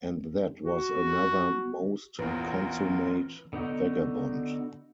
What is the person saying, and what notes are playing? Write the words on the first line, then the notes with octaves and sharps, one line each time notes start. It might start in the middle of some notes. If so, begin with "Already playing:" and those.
And that was another most consummate vagabond!
F#4
A#1 E2 E3 C#4 F4 A#4 B4
D3 B3 D#4 F#4